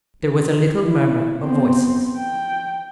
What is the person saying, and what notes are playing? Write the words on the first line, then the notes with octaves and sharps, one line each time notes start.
There was a little murmur of voices.
E4
B3 C4
G5